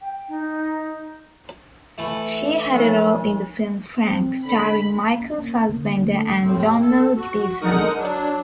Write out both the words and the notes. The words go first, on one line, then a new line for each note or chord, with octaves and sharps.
She had a role in the film "Frank" starring Michael Fassbender and Domhnall Gleeson.
G5
D#4
E3 A3
F3 G#3 D#4
C4
D3 B5
C#4
A#3
D3
A3
D#2 A2 C4
A4
F#4
D3 G#3 D#4 A#4 F#5 D#6
F#3 D4